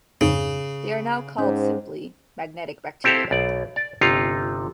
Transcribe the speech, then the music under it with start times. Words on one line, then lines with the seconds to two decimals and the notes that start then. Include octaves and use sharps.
They are now called simply "magnetic bacteria".
0.21 F2 G#2 C#3
1.38 G#2 C#4 C5
3.04 C4 E4 G4 A4 C5 F5
3.31 B1 D5
3.76 D5
4.01 G1 C3 D#4 F4 F5